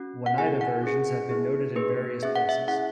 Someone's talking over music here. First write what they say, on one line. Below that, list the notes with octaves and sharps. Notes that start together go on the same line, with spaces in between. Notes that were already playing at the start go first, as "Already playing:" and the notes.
Oneida versions have been noted in various places.
Already playing: C#4 F#4
F#5
B3 E4 G#4 G#5
F#5
C#4 G#4
B3 E4 G#4
A#3 D#4 G#4 B4
C#4 G#4 E5
F#5
E5
C#4 E4 G#4 F#5